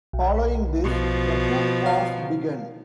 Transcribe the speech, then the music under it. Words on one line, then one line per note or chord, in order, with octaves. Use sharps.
Following this, the coup was begun.
B1
B2 F3
F5